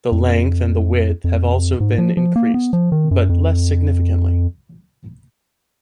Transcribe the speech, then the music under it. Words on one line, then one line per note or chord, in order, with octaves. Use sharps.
The length and the width have also been increased, but less significantly.
F2
F2
G#2
F3
F3
A#3
B3
F3
D#3
F#2
F2